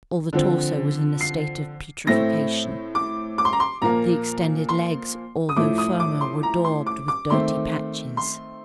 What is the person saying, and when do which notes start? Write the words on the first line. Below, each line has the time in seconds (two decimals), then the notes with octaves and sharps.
All the torso was in a state of putrefaction. The extended legs, although firmer, were daubed with dirty patches.
0.33 D3 F3 C4
1.21 C7
2.07 A2 A3 C4 A#6
2.95 D6
3.38 D6
3.45 C6
3.53 A#5
3.60 C6
3.82 A#2 F3 A#3 A#5
4.69 C6
5.49 D#6
5.56 A2 F3 A3 D6
5.78 D#6
6.00 D6
6.21 C6
6.43 A#5
6.65 C6
6.87 D6
7.08 D6
7.30 D#3 A3 C4 C6
8.17 C6